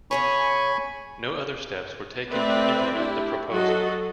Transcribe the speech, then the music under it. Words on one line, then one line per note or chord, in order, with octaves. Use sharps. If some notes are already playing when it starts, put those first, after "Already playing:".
No other steps were taken to implement the proposal.
C#3 G#4 C#5 G#5 B5 C#6
A3 C4 B4 D5 E5
D4 E4 G4
F#3 F#4 A4 D#5